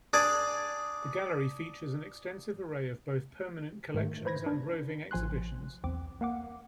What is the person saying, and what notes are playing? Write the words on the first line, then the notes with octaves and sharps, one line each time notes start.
The gallery features an extensive array of both permanent collections and roving exhibitions.
D4 G#4 D5
G#2 D#3 A3
B4 C5 B5 G#6 A#6
D4
A1 F3 G#5 C6 F#6
B1 E2 C4 D6
A#3 F5 F#5 D6